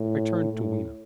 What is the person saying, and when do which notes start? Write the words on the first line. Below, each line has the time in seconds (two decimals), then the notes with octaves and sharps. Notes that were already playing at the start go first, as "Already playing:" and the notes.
I turned to Weena.
Already playing: A2
0.53 A2